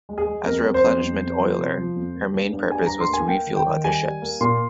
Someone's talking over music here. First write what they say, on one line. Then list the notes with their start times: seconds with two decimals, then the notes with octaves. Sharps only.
As a replenishment oiler, her main purpose was to refuel other ships.
0.09 G#3
0.18 G#4
0.27 G#3
0.46 F2 A#4
0.65 F2
0.74 C5
0.84 F2
1.02 F2
1.21 F2
1.40 F3
1.58 C3
1.78 F3
1.96 F2
2.15 A#3
2.34 G2
2.53 G2
2.71 G3 G#5
2.86 G2 A#5
3.00 C6
3.10 A#3 G#5
3.28 A#3 G5
3.47 D#3
3.56 G5
3.66 D#3
3.84 G3 G#5
4.03 G3
4.22 A#3
4.41 A#2 C6